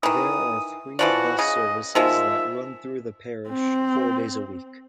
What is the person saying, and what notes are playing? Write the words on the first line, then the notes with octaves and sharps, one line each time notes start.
There are three bus services that run through the parish, four days a week.
D#3 E3 D#6
E3 F3 F#4 D5
C#3 D#5
D#3 F3 G#3 E5
C4